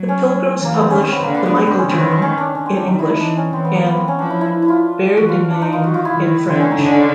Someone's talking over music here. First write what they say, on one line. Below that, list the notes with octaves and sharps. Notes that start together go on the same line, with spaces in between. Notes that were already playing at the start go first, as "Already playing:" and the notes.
The Pilgrims publish "The Michael Journal" in English and "Vers Demain" in French.
Already playing: F#3
C#4
E3
A#3
B3
C4
D#3 C#4
C4
B3
D3 A#3
B3
B3
B3
C4
C#4
D#3 C4
B3
C4
C#4
D4
D3 C#4
C4
D4
D#3 D#4
E4
D#4
E3 D4
C#4
E3 C4
B3
A#3
B3
C4
C#4
F3 D4
E4
E4
E4
F4
E3 F#4
F4
D4
D#4
F4
D#3 F#4
F4
E4
D#3
D3 C4
C#4
D#4
D3 D4
C#4